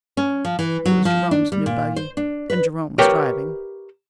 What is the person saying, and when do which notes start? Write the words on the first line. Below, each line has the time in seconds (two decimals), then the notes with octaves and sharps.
It was Jerome's new buggy and Jerome was driving.
0.17 C#4
0.45 F3
0.59 E3
0.86 F#3
1.05 F3
1.31 D4
1.52 G3
1.66 A#2
1.96 C5
2.17 D4
2.50 B4
2.98 G4 A#4 B4 C#5 E5 G5